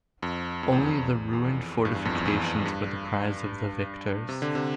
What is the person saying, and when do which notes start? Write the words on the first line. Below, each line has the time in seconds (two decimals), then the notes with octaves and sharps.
Only the ruined fortifications were the prize of the victors.
0.23 F2
0.63 F2
0.72 E2
0.91 E2
1.33 E2
1.45 F2
1.85 G2
1.95 E2
2.05 F2
2.15 E2
2.25 E2
2.65 G2
4.29 C3
4.42 D3
4.55 C3